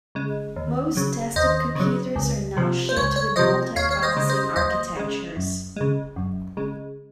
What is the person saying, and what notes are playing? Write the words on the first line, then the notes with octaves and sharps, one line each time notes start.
Most desktop computers are now shipped with multiprocessing architectures.
C#3 G#3
D#2
C#3 F#3
D#2 C5 D#5
C#3 F#3
C#2
C3 F3
C5
C#2 C#5
C#5
C3 F3 C5 D#5
D#2 C#5 F5
C#5
C5 D#5
C#3 G#3
C5 D#5
D#2 C5 D#5
C#3 G#3
F#2
C#3 G#3
F#2
C#3 G#3